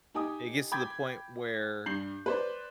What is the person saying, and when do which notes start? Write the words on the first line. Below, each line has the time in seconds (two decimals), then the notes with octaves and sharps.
It gets to the point where
0.15 D#4 G4 G#5 D6 D#6
0.72 G5 B5 D6 G6 G#6
1.86 G2 D4 G6 C7 F#7
2.26 B4 C5 D5